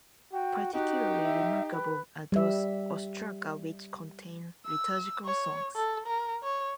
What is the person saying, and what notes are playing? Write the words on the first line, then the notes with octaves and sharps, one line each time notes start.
Particularly remarkable are those ostraca which contain liturgical songs.
F#4 G5
D#4 F#4 G4
E5
B4
G3 E5
E6
C#5
A4
A#4
C#5